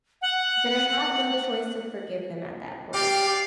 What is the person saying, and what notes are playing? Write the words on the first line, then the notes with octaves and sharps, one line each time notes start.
then I have no choice to forgive them at that point,
F#5
G4 D5 F5